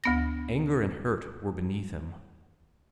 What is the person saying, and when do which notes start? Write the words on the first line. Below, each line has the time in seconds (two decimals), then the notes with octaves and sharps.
Anger and hurt were beneath him.
0.04 D2 B3 A#6